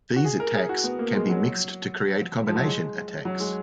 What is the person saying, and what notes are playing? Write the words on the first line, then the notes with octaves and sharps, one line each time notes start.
These attacks can be mixed to create combination attacks.
F#4
G#4
A#4
G#4
F#4
B3
A#3
G#3
F#3
F3
F#3
G#3
F#3
G#3